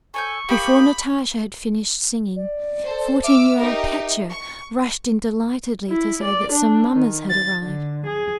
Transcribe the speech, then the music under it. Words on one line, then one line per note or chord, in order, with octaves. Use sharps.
Before Natasha had finished singing, fourteen-year-old Petya rushed in delightedly, to say that some mummers had arrived.
A4 C#5 G#5 C#6 G6
A#3 G4 D#5 B5 D6
D5
A4 C5
E5 D6 E6 F6
D#4 G4 A#4
C#6
E4
D5
D4
D#3
A6
D3
G#4